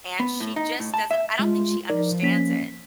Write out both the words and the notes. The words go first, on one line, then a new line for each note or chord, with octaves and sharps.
And she just doesn't I don't think she understands it
B3
A2
D#4
A2
A5
E5
G#3 F4
F3 D#4 A#4 D5
A#3 C#4 B6